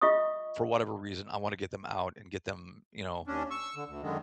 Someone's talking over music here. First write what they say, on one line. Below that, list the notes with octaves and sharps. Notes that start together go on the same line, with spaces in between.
for whatever reason, I wanna get them out and get them, you know,
F4 D#5 E5 C#6 D#6
D#2 C#4 D4
C#6 E6
D3
D2
F#2 D3 D#3 G#3